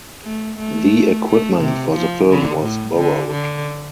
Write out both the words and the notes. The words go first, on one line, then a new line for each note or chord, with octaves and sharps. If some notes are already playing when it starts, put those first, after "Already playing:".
The equipment for the film was borrowed.
A3
A3
A3
C3
F3
D3
A2
D3
D3